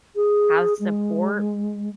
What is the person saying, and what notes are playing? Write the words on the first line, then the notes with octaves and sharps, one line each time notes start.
have support,
G#4
G#3